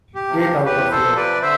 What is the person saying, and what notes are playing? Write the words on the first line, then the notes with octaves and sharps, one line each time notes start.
Get out of here.
G4
C3 F3
G4
E2 G4 B4
A4 C5
C3 F3
B4 D5
D3 C5 E5